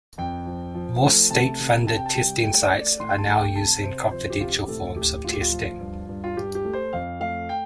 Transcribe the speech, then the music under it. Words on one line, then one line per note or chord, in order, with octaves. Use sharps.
More state funded testing sites are now using confidential forms of testing.
F2 G5
F3
F3
A3
C3 A5
C3
C3 A5
G5
A5
G3 G5
A3 G5
D5
A3
D5
A2 C6
A5
A3
G5
C3 A5
C3 C5
F3 C5
G4
C3 F4
G4
A2 A4
A2 G4
A2 F4
G4
F4
F3
G2
G2
F4
G2 G4
G4
A3
C5
F2 F5
A3 F5
G5